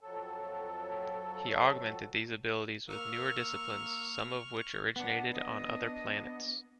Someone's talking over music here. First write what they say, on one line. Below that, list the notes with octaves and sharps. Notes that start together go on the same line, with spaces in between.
He augmented these abilities with newer disciplines, some of which originated on other planets.
F2 F#3 A4
A#3 C#6 E6 F6
B3 D4 F#5
D#5